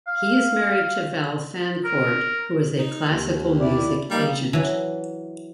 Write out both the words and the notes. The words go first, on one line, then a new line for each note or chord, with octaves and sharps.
He is married to Val Fancourt, who is a classical music agent.
F5
A#4
D#4
D#2
E4 D5
G3 A#3 D#4 F5
E3 F#3